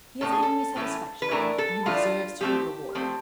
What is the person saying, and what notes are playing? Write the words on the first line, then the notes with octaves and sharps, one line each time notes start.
He has given me satisfaction, and he deserves to be rewarded.'
A2 E3 A3 C#4 A4
G#4
A4
A2 E3 A3 C#4
B4
A2 E3 A3 D4 A#4
A4
A2 E3 A3 D4 F4
F3 A3 C4 G4
F3 A3 C4